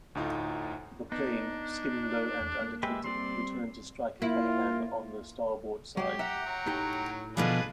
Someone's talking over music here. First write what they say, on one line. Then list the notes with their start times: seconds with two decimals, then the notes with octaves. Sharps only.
The plane, skimming low and undetected, returned to strike "Callaghan" on the starboard side.
0.15 D2 A2 D#4 F4
1.12 B3 D4 D#4
2.40 E2
2.61 A#3
2.83 G#3 G4 B4 E5
3.04 G3 C4 D5 C6
4.22 A#3 E4 F4
5.97 F#3 G#3 G4
6.19 E5 F#5 G5 A#5
6.46 F#3
6.66 A2 D#4 G4
7.37 B2 D3 F3 D4 G#4 B4 F5